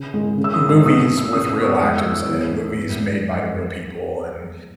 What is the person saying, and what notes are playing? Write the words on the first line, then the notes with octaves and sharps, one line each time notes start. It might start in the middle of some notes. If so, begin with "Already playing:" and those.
movies with real actors in it. Movies made by real people and
Already playing: C#3
G#3
C#3
E6
D#6
G#3
E6
B2 D#6
B2
E6
C#3 D#6
E6
B3 C#6
D#6
G#3 D#6
E6
G#3
E6
E2
A#3
B3
G#3